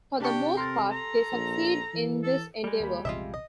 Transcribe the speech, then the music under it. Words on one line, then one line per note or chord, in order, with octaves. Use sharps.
For the most part they succeed in this endeavor.
C3 D4 G4 G5 A5 C#6
A4 A#4 C6 A6
A#5
A#1
E3
A4
G3 G#3
D#2 A#3 B5
A#1 E2 C3 F4 D#5 E5
D#5